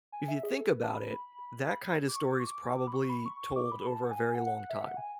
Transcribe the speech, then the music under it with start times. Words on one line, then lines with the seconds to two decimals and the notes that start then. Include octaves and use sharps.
if you think about it, that kinda story is probably told over a very long time.
0.12 G#5
0.28 E5
0.43 G#4
0.60 A4
0.71 B4
0.83 A5
0.95 B5
2.08 D6
2.16 C#6
2.31 D6
2.40 C#6
2.47 D6
2.87 B5
2.93 C#6
3.09 B5
3.26 C#6
3.41 C#6
3.56 D6
3.72 B5
3.87 A5
4.04 F#5
4.11 G#5
4.35 F#5
4.46 F#5
4.57 F#5
4.70 E5
4.81 F#5
4.97 G#5